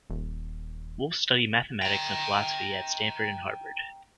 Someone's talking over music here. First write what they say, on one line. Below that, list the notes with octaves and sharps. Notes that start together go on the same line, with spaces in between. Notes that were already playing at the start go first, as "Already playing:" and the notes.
Wolff studied mathematics and philosophy at Stanford and Harvard.
D#1
G5 A#5